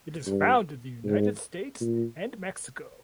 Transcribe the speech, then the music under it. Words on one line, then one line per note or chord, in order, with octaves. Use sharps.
It is found in the United States and Mexico.
G2
G#2
A#2